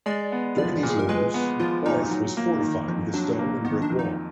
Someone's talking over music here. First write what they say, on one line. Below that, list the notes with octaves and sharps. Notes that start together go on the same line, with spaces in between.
During these wars, Barth was fortified with a stone and brick wall.
G#3 D5
B3
F3 D5
A#2
G#4
A#4
G#3 B4
B3
F3 F4
A#2 D#4
F#3
A#3
D#3
F2
F#3 D4
A#3
D#3 B3
D4
F2
D#4